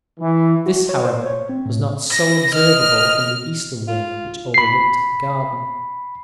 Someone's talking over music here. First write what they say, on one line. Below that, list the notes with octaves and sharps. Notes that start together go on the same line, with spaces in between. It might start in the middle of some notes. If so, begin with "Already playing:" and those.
This, however, was not so observable in the eastern wing, which overlooked the garden.
E3
F#4
C#5
C5
C#5
C4
A2
A#6
D#5 F6
F4
B5 C7